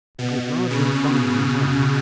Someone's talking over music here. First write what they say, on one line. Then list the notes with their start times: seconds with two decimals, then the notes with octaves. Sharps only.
It was larger and finer than his own.
0.19 B2
0.70 C#3